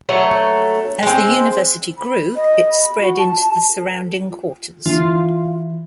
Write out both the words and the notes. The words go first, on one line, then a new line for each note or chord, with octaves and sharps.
As the university grew, it spread into the surrounding quarters.
F#3 A3 C#5
G#3 C4
B5
D#5
B5
F#4
A5
E3 F4